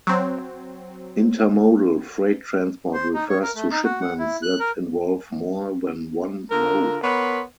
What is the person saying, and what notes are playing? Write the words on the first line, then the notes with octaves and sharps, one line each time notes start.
Intermodal freight transport refers to shipments that involve more than one mode.
F#3 C4
C5
D#4
C#5
A#4
A3
D#4
F#4
F#5
E4
F#6
A#4
D3 F4 A#4
B3 A#4 C#5 B5 C6